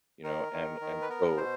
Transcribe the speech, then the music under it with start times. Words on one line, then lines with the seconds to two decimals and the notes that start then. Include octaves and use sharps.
You know, and and so
0.24 D#3 A#4
0.52 D#3
0.81 D#3
1.02 B4
1.09 B3 A#4
1.37 B2 C5